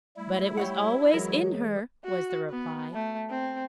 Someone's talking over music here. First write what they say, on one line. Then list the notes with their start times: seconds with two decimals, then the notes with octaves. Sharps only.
"But it was always in her," was the reply.
0.17 G3 A3 E4
0.57 G4 C#5 F#5
1.14 E3 F#3 G#3 G#4 A#4 C#5
2.05 F#4
2.50 B3
2.93 A3
3.30 C4